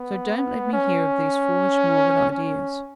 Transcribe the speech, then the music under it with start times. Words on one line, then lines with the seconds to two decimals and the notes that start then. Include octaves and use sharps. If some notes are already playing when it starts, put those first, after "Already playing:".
So don't let me hear of these foolish morbid ideas.
Already playing: B3
0.73 C#4
2.30 C#4